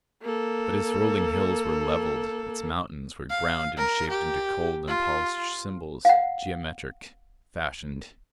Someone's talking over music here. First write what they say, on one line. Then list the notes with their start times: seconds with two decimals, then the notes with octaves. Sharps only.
But its rolling hills were leveled, its mountains were ground and shaped into cold and polished symbols--geometric, fashioned.
0.22 A#3 A4
3.30 F5
3.77 A#4
4.10 G4
4.87 F4
6.05 F5 F#5